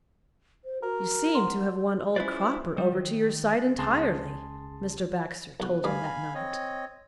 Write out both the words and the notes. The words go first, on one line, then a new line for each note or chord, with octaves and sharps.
"You seem to have won old Cropper over to your side entirely," Mr. Baxter told her that night.
C5
F#4 A#4
F#5 C6
C#4 E4 F4 B4 C5 D5
G3
D#3
C#2 C#3 G#4 A5 C6
B1 F#4 B4
D2 G2 D5 F5 G#5 B5
C4 C#5 D#5